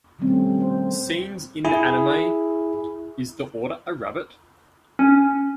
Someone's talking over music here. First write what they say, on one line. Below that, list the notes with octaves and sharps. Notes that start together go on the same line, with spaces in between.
Scenes in the anime Is the Order a Rabbit?
B2 D#3 G3 A3 C4 C#4
C5
E4 G#4
C#4